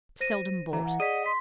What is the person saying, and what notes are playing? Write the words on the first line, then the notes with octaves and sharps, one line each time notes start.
Seldom bought.
C5 A#6 D#7
E3 A#5
F#5
G#4 D5 D#5 B6
C6 B6